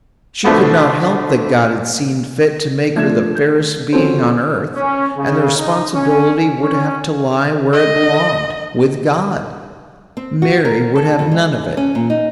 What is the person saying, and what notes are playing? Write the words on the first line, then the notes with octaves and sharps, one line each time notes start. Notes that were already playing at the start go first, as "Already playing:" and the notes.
She could not help that God had seen fit to make her the fairest being on earth, and the responsibility would have to lie where it belonged--with God; Mary would have none of it.
B2 D3 F3 A3 B3
F3 A3 D4 E5 G#6 E7
G6
F3 C4 C#4 F#4 A4 C5
C#4
C#3
D#4
C#4
C#4
D#5
C4
F#4
A#4
A4
F2
G#3
C#4
A#2
D#4